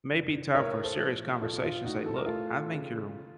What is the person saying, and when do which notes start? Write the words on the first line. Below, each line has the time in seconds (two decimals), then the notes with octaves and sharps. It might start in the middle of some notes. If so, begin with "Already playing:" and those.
maybe time for a serious conversation to say, "Look, I think you're
0.11 F#1
0.55 A2 A#4 C#5
0.83 A4 C5
0.98 F3
1.41 A#1 F4 A4
1.63 F4
1.84 A2 D#4 F#4
2.06 A4
2.16 A#4
2.26 A3 F4 A4
2.71 C#3